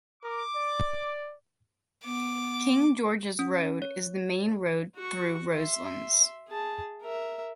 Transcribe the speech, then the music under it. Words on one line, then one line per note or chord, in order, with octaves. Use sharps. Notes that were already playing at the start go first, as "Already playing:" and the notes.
King Georges Road is the main road through Roselands.
A#4 D6
D5
B3 D6
C#4
C#5
F#4 C#6
E5 C6
G#4 A5
A#4 E5